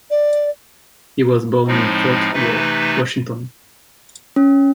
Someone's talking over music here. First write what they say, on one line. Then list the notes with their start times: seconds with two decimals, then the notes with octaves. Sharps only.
He was born in Fort Ward, Washington.
0.10 D5
1.67 A2 F3 G#3 C4 D#4
2.33 C3 E3 A3 D#4 B4
4.36 C#4